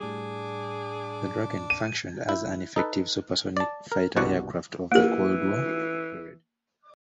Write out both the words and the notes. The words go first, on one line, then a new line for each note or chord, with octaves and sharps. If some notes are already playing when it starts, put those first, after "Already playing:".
The Draken functioned as an effective supersonic fighter aircraft of the Cold War period.
A2 G3 D4 G#4 D6
D#7
E4
D#4 A4 B4
D5 A5
A#4
C2 G2 B2 F#4 D5 F#5
E3 A#3 A#4